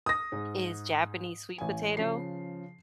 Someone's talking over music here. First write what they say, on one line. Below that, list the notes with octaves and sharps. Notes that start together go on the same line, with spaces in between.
is Japanese sweet potato.
D#6 A#6
G#2
A1 G#5
C#3 F3 C7